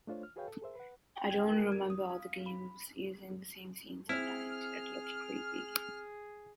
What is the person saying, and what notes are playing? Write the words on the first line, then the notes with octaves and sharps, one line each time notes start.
I don't remember other games using the same scenes at night; it looked creepy.
A3 D4 F4 C5 C#5
F6
F#4 G#4 B4 C#5 F5 G5
A4
G#4 A#4 C5 E5
B4 F#5
G5
G#6
A#4
G#6
D#6
F5
B6
B5
C4 E4 G#4 F6